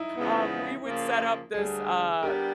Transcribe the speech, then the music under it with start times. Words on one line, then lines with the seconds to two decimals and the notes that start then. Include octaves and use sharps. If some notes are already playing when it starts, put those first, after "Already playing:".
Um, we would set up this, uh,
Already playing: D#4 E4
0.16 E2 C#3 F3 G#3 B3
0.85 C#3 F3 A#3
1.54 D2 D3 G3 G#4
2.23 G3 B3 D4 G4 A#4